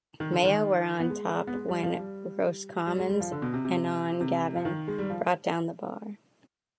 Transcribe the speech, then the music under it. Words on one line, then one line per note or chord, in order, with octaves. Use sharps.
Mayo were on top when Roscommon's Enon Gavin brought down the bar.
D#3
D3
D#3
B3
G#3
B3
G#3
G3
F3
G3
G3
G#3
G3
F3
D3
B2
C3
C3
C3
F3
D#3
G#3
G3
F3